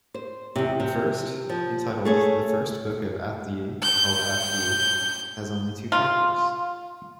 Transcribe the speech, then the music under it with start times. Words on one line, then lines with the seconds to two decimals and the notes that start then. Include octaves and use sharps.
The first, entitled "The First Book of Athlyi Called Athlyi", has only two chapters.
0.14 C5
0.56 E2 C3
0.80 C3
1.49 F3
2.05 A3 G#4 C#5
3.82 G6
5.92 F4